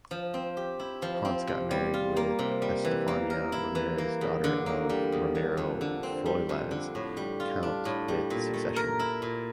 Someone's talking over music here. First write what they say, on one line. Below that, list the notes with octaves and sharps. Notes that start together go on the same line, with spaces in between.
Ponce got married with Estefania Ramirez, daughter of Ramiro Froilaz count with succession.
F3
C4
G4
E4
F3
C4
C3
G3
F4
A#3
C3
G3
E3
A#3
A#4
E4
E3
A#3
E2
D3
A#3
G3
E2
D3
F2
D3
C4
G3
F2
D3
A2
G3
F4
D4
A2
G3
A#2
A3
A#4
E4
A#2